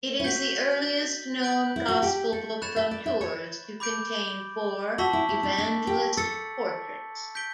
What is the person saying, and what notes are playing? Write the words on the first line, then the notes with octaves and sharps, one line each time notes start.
It is the earliest known Gospel Book from Tours to contain four Evangelist portraits.
E4
F#4 G6 B6 D7 F#7
G6 D7 F#7
E4
F#4
G4
A4
C#5 B5 F#6 A6 E7
E5
D5
E5
C#5
B5 D6 G6 D7
F#4 A5 C#6 E6 B6 F#7
E4
E4
D4
D4
G4
A4 E6 A6 C#7
G6 B6 D7 G7